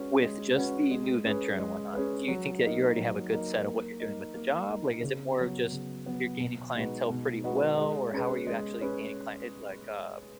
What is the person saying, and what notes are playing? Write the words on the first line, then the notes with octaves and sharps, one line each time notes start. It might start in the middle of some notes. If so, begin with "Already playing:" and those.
With just the new venture and whatnot, do you think that you already have a good set of what you're doing with the job, like, is it more of just, you're gaining clientele pretty well, or how are you actually gaining client it's like, uh
Already playing: G#3 C#4 F#4 B4
G#3
C#4 F#4 B4
G#3
C#4 G#4 B4
G#3
C#4 G#4 B4
F#3
A#3 D#4
F#3
A#3 D#4
A#3
D#4 A#4
A#3
D#4 A#4
C#3
F#3 B3
C#3
F#3 B3
B2
G#3 D#4 F#4 B4
B2
G#3 D#4 F#4 B4
G#3
C#4 G#4 B4
G#3
C#4 G#4 B4